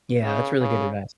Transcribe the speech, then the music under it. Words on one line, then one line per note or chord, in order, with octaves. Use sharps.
Yeah, that's really good advice.
C#3
C#3